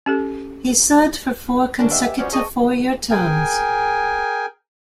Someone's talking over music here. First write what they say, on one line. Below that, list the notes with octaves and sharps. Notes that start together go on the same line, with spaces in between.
He served for four consecutive four-year terms.
C#4 G4 A4
D#1 C#4 D4 A#4 G#5
G4 B4 D#5 E5 F#5 E6
F3 G3 C4 C#4 F#4 D5
D3 A#3 G#4 D5 D#5 A5 C#6
G#4 A#4 G5 G#5